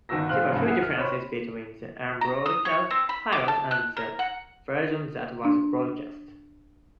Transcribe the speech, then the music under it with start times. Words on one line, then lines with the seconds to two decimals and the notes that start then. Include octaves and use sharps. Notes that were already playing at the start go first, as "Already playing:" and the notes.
There were few differences between the unbroadcast pilot and the version that was broadcast.
0.09 G1 D#3 F#4 E6 A#6
0.29 A#2 C4 F4 F6 F#6
0.51 F1 G#2 C#3 B5
0.65 E4 G#4 F#5
0.82 F6
0.98 C4 C#5 B5
2.21 A#5
2.46 D#6
2.65 C#5
2.90 C4
3.09 B5
3.32 D6
3.48 A5
3.71 F#6
3.97 A#4
4.19 F#5
5.45 D4